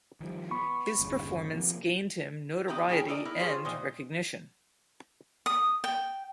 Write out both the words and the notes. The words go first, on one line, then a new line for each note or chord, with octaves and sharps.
His performance gained him notoriety and recognition.
D#3 F3 G3
B3 B5 C#6
G1 E2 C#3
C3 F3 A#3
D#3 B3 G4 E5 A#5
C#4 E4 G#4 C#5 G5 A#5
A4 A#4 D5 D#5 A5 A#5
D#4 E4 A#4
G3 F4 G#4 C5 C#5
A#2 D#3 E3 C5 D#5 C6
D#6
G5